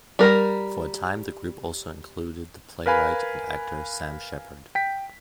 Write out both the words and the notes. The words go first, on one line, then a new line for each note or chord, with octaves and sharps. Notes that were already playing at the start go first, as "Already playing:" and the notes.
For a time the group also included the playwright and actor Sam Shepard.
G3 A#4
A#4 B4 F5 G#5 B5
G5 B6